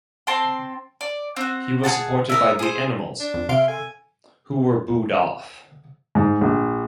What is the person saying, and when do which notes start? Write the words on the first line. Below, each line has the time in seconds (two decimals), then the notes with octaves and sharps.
He was supported by the Animals, who were booed off.
0.27 C4 G5 A5 C6
1.01 D5
1.36 C4 F#4
1.84 G#4 A4 F#5 A5
2.29 B3 A#4 E5
2.59 G#4 C5
3.20 D4
3.34 F2
3.49 C3 E5 F5 C6 D7
3.68 A4 G#5
6.15 G#2
6.41 A#1